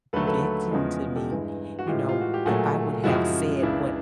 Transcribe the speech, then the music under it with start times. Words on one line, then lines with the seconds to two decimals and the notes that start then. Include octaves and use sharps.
venting to me, you know, if I would have said what
0.13 D#2 D3 F#3 A3 A4 B4
0.27 A4 B4
0.71 E2 C#3 F3 G#3
1.16 G4 A4
1.30 G2 E3 G#3
1.79 F#4
1.87 A2 E3 G#3 F4 G4
2.09 F4
2.21 F#4
2.34 G4
2.45 A#2 F#3 A3 F#4 G#4
3.04 F#2 C#3 F3 G#3 E4 F#4
3.62 C#2 C#3 E3 D4 E4